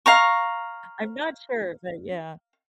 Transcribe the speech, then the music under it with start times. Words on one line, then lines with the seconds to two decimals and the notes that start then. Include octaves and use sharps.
I'm not sure, but yeah.
0.06 F5 A#5 C#6